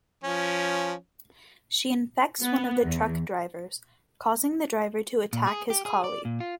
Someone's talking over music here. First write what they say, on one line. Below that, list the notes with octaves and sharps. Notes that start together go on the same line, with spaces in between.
She infects one of the truck drivers, causing the driver to attack his colleague.
F3 C#4
B3
E2
A#2
G#4
G4
G#4
D5
A#2
F4